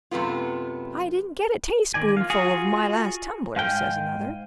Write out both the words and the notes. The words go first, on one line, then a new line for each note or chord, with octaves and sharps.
"I didn't get a tayspoonful of my last tumbler," says another.
F#2 C3 A3 B3 F4
D#3 D5 G#5
F4 F5
F4 F#4 G#4
G#2 F5 G5 G#5 F6